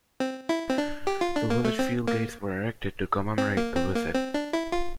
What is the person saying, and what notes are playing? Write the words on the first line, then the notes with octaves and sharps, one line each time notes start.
The village field gates were erected to commemorate the visit.
C4
E4
C4
D4
G4
F4
D4
A#3
A3
C4
A#3
C4
A#3
C4
A#3
C4
D4
E4
F4